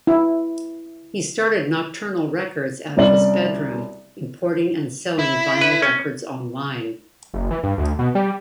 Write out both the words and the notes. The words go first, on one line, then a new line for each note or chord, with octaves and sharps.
He started Nokturnal Records out of his bedroom, importing and selling vinyl records online.
E4
C2 C#4 D5 F#7
E4
B4
C#4
F#1
E3
G2
D2
B2
G3